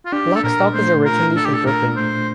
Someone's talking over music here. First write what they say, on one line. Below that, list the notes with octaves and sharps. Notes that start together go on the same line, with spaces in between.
Blackstock is originally from Brooklyn.
F4
D4 G4
A4
A#2 A#4
A3 C5
F4 A#4
D4 A4
G4
A4
A#2 A#4
A3 C5